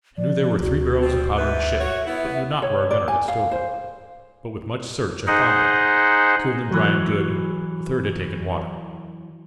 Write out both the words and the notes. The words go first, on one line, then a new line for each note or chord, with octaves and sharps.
I knew there were three barrels of powder in the ship, but knew not where our gunner had stowed them; but with much search I found them, two of them dry and good, the third had taken water.
F3 D5
D2 F#4
F3 G3 C4
E2 B3 B4 E5
F#4 C#5
B3 E4
C#5
D5
G#5
F5
C5
D#4 G#4 C5 D#5 F#5
E3 F#3